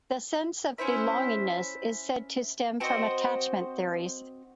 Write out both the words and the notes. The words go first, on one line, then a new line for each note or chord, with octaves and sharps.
The sense of belongingness is said to stem from attachment theories.
C#4 E4 C5 E5
C4 F#4 C5 D#5